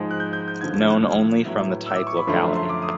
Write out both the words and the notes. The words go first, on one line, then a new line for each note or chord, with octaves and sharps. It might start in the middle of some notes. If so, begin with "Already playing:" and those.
Known only from the type locality.
Already playing: G#2 F3 G#3
F#6
G6
G6
G6
D#2 D3 F3 G#6
F6
F#6
A2 F#3 B3 E4
E6
D6
C#6
B5
F#2 D3 F3 A3 C6
C6
C6
D6
D#6